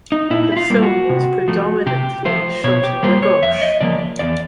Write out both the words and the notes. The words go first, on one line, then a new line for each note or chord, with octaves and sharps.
The film was predominantly shot in Lagos.
D#4
A#2 E4
E4
F4
G3 A#3
F#4
C3
F3 A3
C3 G4
F3 A3 C5
B2 C#5
G4
G3 A#3 C5
C#5
F2 E5
D#5
C#3 F3 A#3 D5
E2 D5